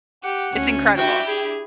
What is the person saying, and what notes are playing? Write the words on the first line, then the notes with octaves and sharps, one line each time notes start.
It's incredible.
G4 F#5
D2 C#4
D4 E4 F#4 G4 G5
G#4